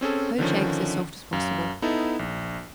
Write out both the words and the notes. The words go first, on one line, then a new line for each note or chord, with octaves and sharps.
Poach eggs as soft as possible.
C4 C#4 G#4 A4
D3 D#3 F3 C#4
F#2 F5
B3 D#4 E4 A4
A#1